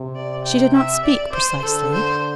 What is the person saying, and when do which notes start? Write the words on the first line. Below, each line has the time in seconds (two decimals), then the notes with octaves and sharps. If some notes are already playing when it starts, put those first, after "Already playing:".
She did not speak, precisely.
Already playing: C3
0.16 D5
0.45 G5
0.75 E5
1.03 D5
1.33 C5
1.63 D3 A4
1.92 C5